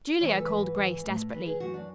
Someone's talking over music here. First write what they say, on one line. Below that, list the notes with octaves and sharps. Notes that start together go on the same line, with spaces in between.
"Julia," called Grace desperately.
E3 C#5
B4
A4
G#2 B4
E3
A2
E3 B4
G#4
F#2 F#4
D4